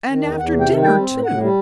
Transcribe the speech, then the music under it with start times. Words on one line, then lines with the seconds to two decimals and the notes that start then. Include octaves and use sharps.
"And after dinner, too!"
0.10 D#3
0.23 E2
0.38 E2 F#5
0.53 C3
0.60 G5
0.68 D#3
0.82 G3 G5
0.97 C4
1.11 A2
1.26 A2 F#5
1.41 G3